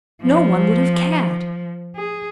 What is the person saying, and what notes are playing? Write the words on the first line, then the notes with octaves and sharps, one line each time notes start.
No one would have cared.
F3
G#4